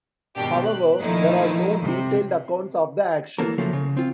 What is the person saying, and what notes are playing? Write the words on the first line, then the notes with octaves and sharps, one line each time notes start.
However, there are no detailed accounts of the action.
G#2 B2 D#3 D4 G4
F#6
A#2 D#3 F3 A3 D#4 E4
C3
E3 A#3 A4 A#4
C#3 F3 F#3 A3 A#3
C#3
C4 F4